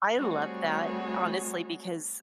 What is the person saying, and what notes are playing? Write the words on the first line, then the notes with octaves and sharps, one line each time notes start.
I love that, honestly, because,
G3 A3 C4 F#4 G#4 C#5